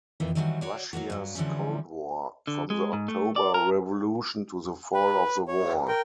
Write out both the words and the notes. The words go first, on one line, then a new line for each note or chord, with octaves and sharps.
Russia's Cold War: From the October Revolution to the Fall of the Wall.
F2 A#2 D#3 E3
D#3 E3 F#3 G3 C5 F#5
F#4 C#5 D5
F#3 A3 A#3 F#4
G2 F#3
D3 E3 F3 G3 C#4
D3
G#3
G#2
A3
D5
A#4
B4
C#5
A#4 G5